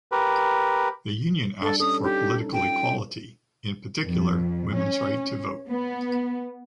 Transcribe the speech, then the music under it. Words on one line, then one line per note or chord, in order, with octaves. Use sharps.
The Union asked for political equality, in particular women’s right to vote.
G4 A#4 B4
G3 D4 A4
C#4 A4 D#6
D#4 G4
C#4 F4 G5
F2
C#4
B3